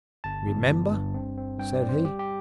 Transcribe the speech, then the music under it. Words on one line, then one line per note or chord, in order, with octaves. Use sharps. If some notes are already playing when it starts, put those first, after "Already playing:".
"Remember!" said he.
G1 A5
G1
G1
G2
C4
C4
G2 G5
D5
C4
C5
G3 G4
G4